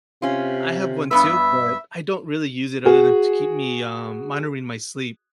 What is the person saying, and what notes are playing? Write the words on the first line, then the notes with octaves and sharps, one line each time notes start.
I have one too, but, I don't really use it other than to keep me, um monitoring my sleep.
C3 C#4 F4
G2 B3 B4 E5
F#4 G#4